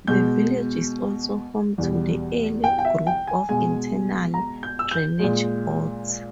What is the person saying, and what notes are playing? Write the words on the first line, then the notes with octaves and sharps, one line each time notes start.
The village is also home to the Ely Group of Internal Drainage Boards.
B2 G#3 G6
E2 B2 G3
G5
G5
E5
G5
G#5
B2 G#3 G#5
A#5
G6
E6
G6
A#2 G#3